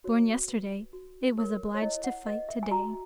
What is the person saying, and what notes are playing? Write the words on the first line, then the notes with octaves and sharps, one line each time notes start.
Born yesterday, it was obliged to fight to-day.
F#4 C#5
B4
F#4
A#4 C#5
C#5
E4 D#5
F#5
B4 D#5
E5
G#5
F#4 A#5